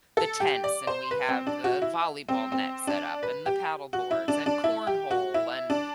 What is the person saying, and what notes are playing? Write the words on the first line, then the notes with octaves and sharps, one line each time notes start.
the tents and we have the volleyball net set up, and the paddle boards, and cornhole, and,
A4
G4
D5
C5
B4
C4
D4
F#4
E4
C4
C4
D4
B4
G4
F#4
E4
D4
D4
E4
G4
F#4
E4
D4